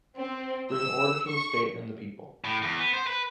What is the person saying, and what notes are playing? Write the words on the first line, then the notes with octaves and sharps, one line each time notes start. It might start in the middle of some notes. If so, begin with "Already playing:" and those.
Bring order to the state and the people.
C4
E6
C#6
A2
E2
B3
C5
B4